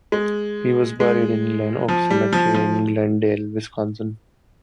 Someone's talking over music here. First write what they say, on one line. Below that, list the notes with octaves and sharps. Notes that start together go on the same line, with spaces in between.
He was buried in Glen Oaks Cemetery, in Glendale, Wisconsin.
G#3
G#3
F3
G3
F3
F3